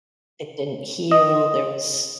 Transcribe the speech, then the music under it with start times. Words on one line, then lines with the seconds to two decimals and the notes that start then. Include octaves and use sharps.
It didn't heal, there was
1.11 D#5